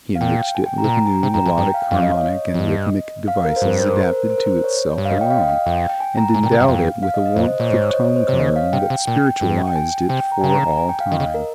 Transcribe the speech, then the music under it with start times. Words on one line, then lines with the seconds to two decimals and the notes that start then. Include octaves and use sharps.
He enriched it with new melodic, harmonic and rhythmic devices adapted to itself alone, and endowed it with a warmth of tone-coloring that spiritualized it for all time.
0.15 F5
0.21 A#2 G5
0.55 G#5
0.66 G5
0.78 A#5
0.84 C3
0.89 A#2 A#5
1.06 G#5
1.23 C3 G5
1.34 F2 A#5
1.46 F2 G#5
1.57 G2 G5
1.74 F5
1.91 F2 F5
2.03 D#5
2.14 C#5
2.26 D#5
2.54 F2
2.59 G2
3.28 F5
3.45 A#4
3.56 C5
3.62 G2
3.67 A#4
3.79 C5
3.90 A#4
4.01 C5
4.13 A#4
4.30 C5
4.38 A#4
4.46 C5
4.64 C#5
4.98 G2 C#5
5.05 F5
5.09 D#5
5.21 G5
5.31 F5
5.40 D#5
5.49 F5
5.66 F2 G5
5.89 G5
6.00 G#5
6.17 A#5
6.29 A#5
6.34 G#2 G#5
6.43 A#2
6.46 G5
6.52 C3
6.57 G2 F5
6.68 F2
7.03 F5
7.14 D#5
7.26 D#5
7.36 F2 C5
7.48 D#5
7.60 A#2 C#5
7.71 G#2 C5
7.82 C#5
7.94 D#5
8.05 C#5
8.16 C5
8.28 C3 C#5
8.39 C#3 D#5
8.56 F5
8.73 C3 G5
8.90 C3
9.07 A#2 G5
9.41 G2
9.67 G5
9.76 G#5
10.09 C3 G5
10.21 G5
10.32 A#5
10.41 C#3 G#5
10.50 A#5
10.78 G#5
10.89 G5
11.00 F5
11.12 D#3 D#5
11.20 C#3
11.34 A#4